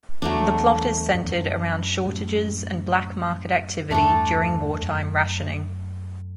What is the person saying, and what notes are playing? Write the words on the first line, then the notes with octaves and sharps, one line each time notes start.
The plot is centred around shortages and black market activity during wartime rationing.
E2 F#3 A3 D4
F#2
E2
F#2
F#2 A2
E2 G2 A3 D4 A4
F#2